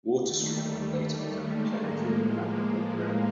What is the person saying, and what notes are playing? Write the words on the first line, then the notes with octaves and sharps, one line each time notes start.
Water Street would later become Plainfield-Naperville Road.
D#2 D#3 G3 A3
G3 A3
G#3 A#3
A2
F3
G#3